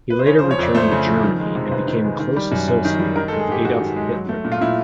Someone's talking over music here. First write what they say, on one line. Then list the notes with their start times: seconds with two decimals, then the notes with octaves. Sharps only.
He later returned to Germany and became a close associate of Adolf Hitler.
0.10 B4
0.19 C5
0.26 C#3 C#5
0.39 C5
0.43 F3
0.51 C#5
0.59 F2 D5
0.75 A3 C5
0.92 C#3
1.07 F3
1.23 D#3
1.40 G#3
1.55 C3
1.67 C5
1.71 C3 B4
1.87 D#3
2.04 G#3
2.20 D#3
2.36 G3
2.52 F#2
2.68 F#2
2.85 D#3
3.00 G3
3.16 D#3 A#4
3.28 A4
3.33 G#3
3.40 G#4
3.48 G#2 G4
3.65 G#2 F#4
3.80 D#3
3.96 G#3
4.13 F#3
4.29 A3
4.45 A#2
4.52 F4
4.61 A#2 E4